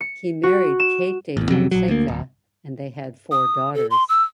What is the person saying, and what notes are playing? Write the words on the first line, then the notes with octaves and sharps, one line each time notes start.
He married Kate de Fonseka and they had four daughters.
C#7
F#4
E7
A1 E2
F2 C3 F#3
A#1 F#3
D2 A#3
D1
D#6
A4
C6
E6